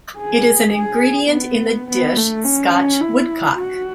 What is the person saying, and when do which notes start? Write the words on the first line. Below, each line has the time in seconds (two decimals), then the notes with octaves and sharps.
It is an ingredient in the dish Scotch woodcock.
0.18 G#4
0.74 G#4
1.31 B3
1.88 B3
2.16 A3
2.44 C#4
2.73 C#4
3.01 E4
3.58 F#4